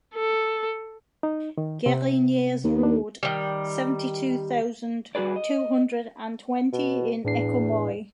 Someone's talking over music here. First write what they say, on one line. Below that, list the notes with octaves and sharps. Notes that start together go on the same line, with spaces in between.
Guérinières road, seventy-two thousand two hundred and twenty in Écommoy.
A4
D#4
D#3
C3 C4
D#2
D4
D#3 G3
G3 F#4 G#4 B4 D5
D#5
B2
E2 A2 D4 C7